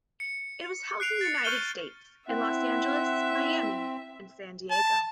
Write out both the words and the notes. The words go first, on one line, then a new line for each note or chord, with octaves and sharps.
It was held in the United States, in Los Angeles, Miami, and San Diego.
C#7
F#6 C7 D7 F7
A6 C#7
C#6 F6 G6 D#7 G7
C4 E4 E5 F#5
A5